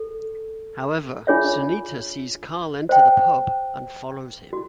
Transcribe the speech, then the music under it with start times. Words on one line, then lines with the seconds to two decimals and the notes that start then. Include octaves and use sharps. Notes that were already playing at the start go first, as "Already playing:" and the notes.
However, Sunita sees Karl enter the pub and follows him.
Already playing: A4
1.27 D4 F4 G#4 C#5 E5
2.89 C5 E5 G5
4.53 F#4